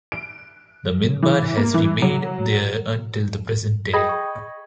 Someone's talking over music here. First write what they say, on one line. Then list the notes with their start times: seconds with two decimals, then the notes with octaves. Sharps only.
The minbar has remained there until the present day.
0.12 D7
1.22 E3
1.57 A#3
1.74 E3
2.02 F#3
3.93 G#4 D#5 G5 B5 D#6 G#6
4.09 C#6